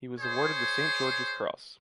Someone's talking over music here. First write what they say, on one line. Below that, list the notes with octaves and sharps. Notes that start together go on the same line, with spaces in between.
He was awarded the St. George’s Cross.
G#4 C5 C#5